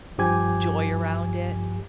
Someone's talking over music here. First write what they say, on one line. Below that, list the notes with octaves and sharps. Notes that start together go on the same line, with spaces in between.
joy around it
G2 F3 G4 G#5 G#6